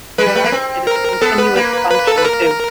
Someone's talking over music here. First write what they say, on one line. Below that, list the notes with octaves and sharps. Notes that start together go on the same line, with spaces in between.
Thus it is a continuous function, too.
G#3 B4
G3
A3
A#3
C4
A#4
B3 A4
B4
A#3
B4
A4
B4
A#4